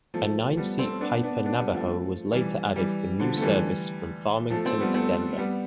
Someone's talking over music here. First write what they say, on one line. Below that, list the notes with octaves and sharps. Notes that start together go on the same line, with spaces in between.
A nine-seat Piper Navajo was later added for new service from Farmington to Denver.
F3 A3
G3 B3
A3 C4
B3 D4
B3 D4
B3 D4
G3 B3
F3 A3
E3 G3
E3 G3
D3 F3
A3
E3 G3
F3 A3
A3 C4
G3 B3
A3 C4
G3 B3